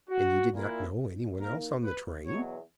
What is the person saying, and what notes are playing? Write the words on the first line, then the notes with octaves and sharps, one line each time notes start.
"And you did not know any one else on the train?"
F#4
A#2 A#3 E4
D#3 A#3 D#4 A#4
B4
E2 B2 F#3 C#5